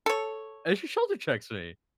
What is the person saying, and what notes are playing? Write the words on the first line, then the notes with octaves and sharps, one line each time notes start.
And she shoulder checks me.
A4 C#5